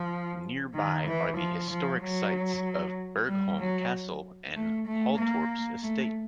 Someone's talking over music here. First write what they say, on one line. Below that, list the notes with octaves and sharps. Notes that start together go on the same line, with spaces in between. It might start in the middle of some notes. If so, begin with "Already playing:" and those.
Nearby are the historic sites of Borgholm Castle and Halltorps Estate.
Already playing: F3
D#3
E3
F3
F3
F#3
G3
F#3
A3
A3
A#3
A3